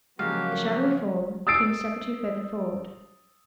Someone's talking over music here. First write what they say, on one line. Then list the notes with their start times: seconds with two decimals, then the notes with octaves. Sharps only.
The shadowy form came a step or two further forward.
0.19 C#3 F3 F#3 G#3 A#3 F#4 G4 F5
1.47 D#6 E6 A6 C7 D7